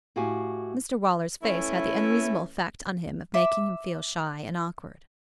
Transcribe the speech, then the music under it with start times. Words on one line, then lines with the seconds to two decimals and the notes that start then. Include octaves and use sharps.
Mr Waller's face had the unreasonable effect on him of making him feel shy and awkward.
0.16 A2 F#4 G4 F5 G#5
1.42 E3 A3 C#4 E4
3.34 E5 D6